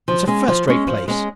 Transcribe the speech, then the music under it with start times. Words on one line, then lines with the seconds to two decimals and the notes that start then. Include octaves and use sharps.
It's a first-rate place!'
0.08 F3
0.27 G#3 C#4
0.48 F3
0.68 G#3 C#4
0.87 F3
1.08 G#3 C#4